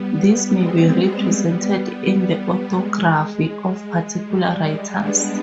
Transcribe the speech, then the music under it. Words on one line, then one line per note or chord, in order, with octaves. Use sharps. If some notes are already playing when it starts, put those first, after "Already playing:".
This may be represented in the orthography of particular writers.
Already playing: G3 B3
G#3 C4
G#3 C4
G3 B3
G#3
G#3
G3
G#3
B3 D4